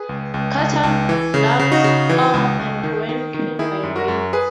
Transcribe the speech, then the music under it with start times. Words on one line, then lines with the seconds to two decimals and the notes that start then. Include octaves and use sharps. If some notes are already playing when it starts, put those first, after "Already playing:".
Cotton, logs, ore and grain came by rail.
Already playing: G#4 B4
0.09 C#2
0.34 C#2
0.58 C#2
0.83 C#2
1.09 E3
1.34 C#3
1.59 C#3
1.72 D#4 F#4
1.84 C#3
2.09 E3
2.34 C#2
2.59 C#2
2.83 D#3
3.09 D#3
3.34 D#3
3.59 D#3 E4 G#4
3.83 F#2
3.96 F#4 A#4
4.08 F#2
4.33 G#4 B4